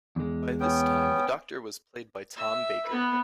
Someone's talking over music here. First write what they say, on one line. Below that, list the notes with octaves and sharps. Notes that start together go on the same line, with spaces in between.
By this time the Doctor was played by Tom Baker.
E2 G#3
B3 C#4 G5
E5
B3 B4